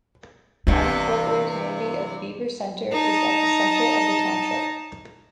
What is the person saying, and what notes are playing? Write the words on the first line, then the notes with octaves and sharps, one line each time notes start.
The unincorporated community of Beaver Center is at the center of the township.
G2 C3 E3
D#4 A5